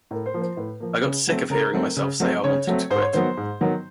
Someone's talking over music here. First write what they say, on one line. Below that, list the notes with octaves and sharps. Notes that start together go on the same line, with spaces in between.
I got sick of hearing myself say I wanted to quit.
A2 A#4
C5
F3 A#3
C5
A2 B4
F3 A#3
C#3
F#3 A3 C4
C#3 A#4
F#3 A3 C4
C#3
F#3 A3 C4
C#3 C#5
F#3 A3 C4
G#2 C5
C#5
D#3 F#3 B3 C5
G#2
D#3 F#3 B3